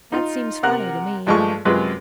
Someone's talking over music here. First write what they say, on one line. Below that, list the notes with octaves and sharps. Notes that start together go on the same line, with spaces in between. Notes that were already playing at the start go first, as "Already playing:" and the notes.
That seems funny to me.
D#4 F4
C3 A#4 F#5 F#6
G2 F3 G#3 A3 C#6
F#2 C3 G#3 F4 B4